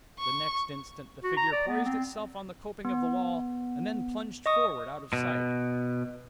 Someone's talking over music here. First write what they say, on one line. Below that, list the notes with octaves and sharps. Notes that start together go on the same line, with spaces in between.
The next instant, the figure poised itself on the coping of the wall and then plunged forward out of sight.
C#6
F#4
A#5
D5
B3
C4
B3
D#5 C#6 D#6
B2